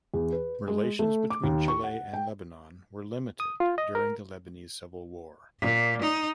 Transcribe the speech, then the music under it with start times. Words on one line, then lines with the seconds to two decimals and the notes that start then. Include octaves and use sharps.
Relations between Chile and Lebanon were limited during the Lebanese Civil War.
0.14 E2
0.32 B4
0.68 G#3
0.99 A3
1.30 D6
1.44 D#2
1.68 C#6
1.84 F#5
2.14 G5
3.40 D#6
3.60 F4
3.78 D#5
3.95 A#4
5.59 A#2
6.01 D#4